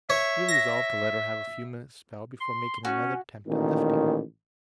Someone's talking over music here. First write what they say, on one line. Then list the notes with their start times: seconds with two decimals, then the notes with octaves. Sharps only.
We resolved to let her have a few minutes' spell before making another attempt at lifting.
0.10 C#5 E5
0.49 A#6
2.40 C6
2.85 C#4 F#4
3.47 A1 A#2 D#3